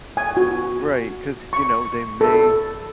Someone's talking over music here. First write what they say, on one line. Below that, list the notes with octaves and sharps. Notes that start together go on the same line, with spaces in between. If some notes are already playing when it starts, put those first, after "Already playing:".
Right, 'cause, you know, they may
G#5
F#4
C#6
A4